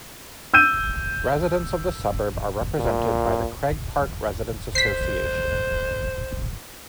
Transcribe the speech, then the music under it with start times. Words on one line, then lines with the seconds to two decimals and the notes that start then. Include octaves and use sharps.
Residents of the suburb are represented by the CraigPark Residents Association.
0.54 E6 G6 D#7
2.78 A#2
4.75 C5 B6 C7